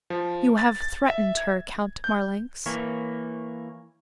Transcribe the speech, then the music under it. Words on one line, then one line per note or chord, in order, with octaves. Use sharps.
"You have threatened her, Count Marlanx."
F3
A6
A6
E5
G#6
G6
E3 A#3 C#5